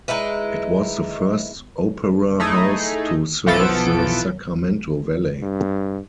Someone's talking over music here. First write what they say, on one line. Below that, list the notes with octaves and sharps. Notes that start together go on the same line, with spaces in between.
It was the first opera house to serve the Sacramento Valley.
G#3 D#4 E4 B4
A3 D#4 E4 G#4
B1 E3 F3 B3 A4 D7
G2